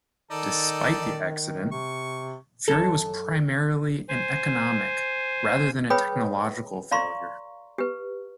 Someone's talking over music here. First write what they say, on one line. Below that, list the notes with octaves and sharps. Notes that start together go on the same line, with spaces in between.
Despite the accident, Fury was primarily an economic rather than a technological failure.
D#3 D#4 A4 D5
C3 C#6
F#2 A4
C5 G#5
G#4 B4 C#5 G5 B5 D#6
D5 F5 A#5 C6 C#6
G4 B4